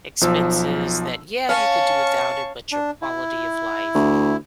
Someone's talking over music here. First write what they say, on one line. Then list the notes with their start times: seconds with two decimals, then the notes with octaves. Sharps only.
expenses that, yeah, you could do without it, but your quality of life
0.21 B1 F3 E6
1.49 C#4 F5 A5 C#6
2.72 D4
3.02 E4
3.95 D2